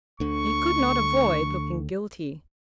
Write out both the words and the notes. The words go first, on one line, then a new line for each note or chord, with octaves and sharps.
He could not avoid looking guilty.
D2 D3 C#6